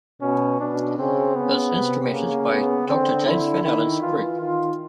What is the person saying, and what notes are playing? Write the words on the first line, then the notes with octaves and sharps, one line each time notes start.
It was instrumented by Doctor James van Allen's group.
B2 C#4
B2 D4
C#3 C4
C#3 B3
C3
C#3 A#3
B3
D3 C4
D3 E4
D#3 E4
E3 F4
D#3 F4